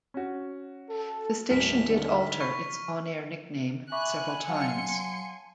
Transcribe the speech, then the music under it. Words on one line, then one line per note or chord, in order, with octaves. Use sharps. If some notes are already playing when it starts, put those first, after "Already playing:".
The station did alter its on-air nickname several times.
C#4 F#4
A4
D#1 A2 F6 B6
C#2 G#2 D3
B5 C#6
E5 G#5 B5 C#6 D6 F#6
F#3 F5 F#5 A5 C6 C#7